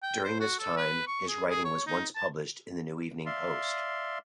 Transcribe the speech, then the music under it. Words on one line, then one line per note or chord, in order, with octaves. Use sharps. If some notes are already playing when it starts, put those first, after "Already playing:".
During this time, his writing was once published in "The New Evening Post".
G5
C5
F#4
A4
B4
C#6
G#4
G#4
C#5
D#4
A5
D5 E5 F5 C6